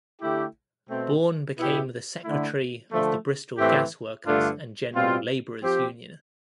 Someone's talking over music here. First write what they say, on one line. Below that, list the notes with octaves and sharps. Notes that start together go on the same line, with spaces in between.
Born became the secretary of the Bristol Gas Workers and General Laborers Union.
D3 A3 E4 G4
B2 A3 C4
B2 B3 E4 G4
D3 A3 E4
D3 F3 A3
A2 E3 A3 C4 G4
G2 D3 A3 D4 F4
B2 G3 C4 F4
F3 C4 G4